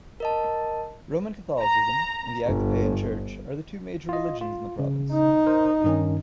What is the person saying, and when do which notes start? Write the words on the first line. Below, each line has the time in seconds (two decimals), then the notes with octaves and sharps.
Roman Catholicism and the Aglipayan Church are the two major religions in the province.
0.20 A#4 D#5 A5
1.61 A#5
2.47 G1
4.09 F4 D#5
4.41 F4
4.79 C#3
5.13 D#4
5.47 A#4 C5
5.84 G2 D#3 C#4